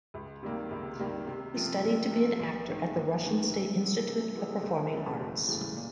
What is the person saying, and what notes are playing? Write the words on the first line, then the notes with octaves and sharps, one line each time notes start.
He studied to be an actor at the "Russian State Institute of Performing Arts".
C#2
C3 D#3 G3 A#3
C#2
C3 D#3 G3 A#3
C3
F3 A3 C4
C3
F3 A3 C4
A#1
G#2 D#3
A#1
G#2 D#3
C3
E3 G#3 B3
C3
E3 G#3 B3
F#1
E2 C#3 E3 A3
F#1
E2 C#3 E3 A3
A#2